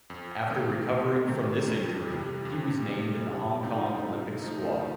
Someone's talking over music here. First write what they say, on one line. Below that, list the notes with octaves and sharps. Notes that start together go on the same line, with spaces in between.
After recovering from this injury, he was named in the Hong Kong Olympic squad.
F2
D#3 A3 C4
F2
D#3 A3 C4
F2
C3 G3
F2
C3 G3
C3
F3 A3 D#4
C3
F3 A3 D#4